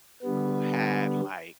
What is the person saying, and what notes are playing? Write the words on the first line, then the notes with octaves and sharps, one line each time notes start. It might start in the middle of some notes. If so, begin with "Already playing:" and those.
who had, like,
D3 G3 B3